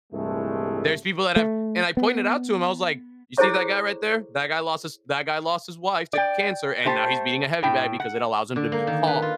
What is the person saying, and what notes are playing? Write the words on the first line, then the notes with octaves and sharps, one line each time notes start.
There's people that have and I pointed out to him, I was like, "You see that guy right there? That guy lost his that guy lost his wife to cancer, and now he's beating a heavy bag because it allows him to be calm.
C2 G2 A#2 E3 G#3 A3
A3
B3
E4 G#4 A4 C5 C#5 C#6
D5 G5
A3 G4 C5 A5
A2 G5
F#5
D3
A#3
D#3
B4
F4